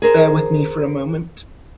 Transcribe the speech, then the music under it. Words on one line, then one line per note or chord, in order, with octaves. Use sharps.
Bear with me for a moment.
G#4 A#4 C5